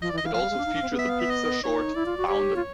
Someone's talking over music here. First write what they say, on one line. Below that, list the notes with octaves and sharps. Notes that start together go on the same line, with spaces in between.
It also featured the Pixar short "Boundin'".
F3 D#5
D5
E3
D#5
E3 F5
F3 F5
G3
G#3
D4
D#4
D4
C4
B3
E5
F5
E5
D#5
D#4 C#5
E4 D5
F4
F#4
G4 C#5
F4